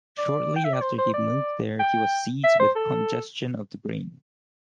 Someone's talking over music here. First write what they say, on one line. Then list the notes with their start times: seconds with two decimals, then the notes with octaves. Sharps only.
Shortly after he moved there, he was seized with congestion of the brain.
0.18 D5
0.56 G5
0.65 E5
0.74 D5
0.82 C5
0.98 C5
1.14 D5
1.79 G5
2.44 E5
2.59 C5
2.76 A4